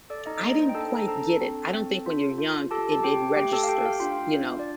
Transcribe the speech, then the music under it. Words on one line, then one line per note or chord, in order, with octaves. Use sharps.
I didn't quite get it, I don't think when you're young, it it registers, you know?
A4 D5
D#4 D#5
A#3 D#4 D#5
C5
G5
D4 A4 A5
A#5
D4 A4 A5
C4
C4
F4
F4
G4 A4 A5
A5
G4 G5
A3 G4 G5
A4 A5
F5
G4 G5
F5
G5
D4 F4 F5
D4
D5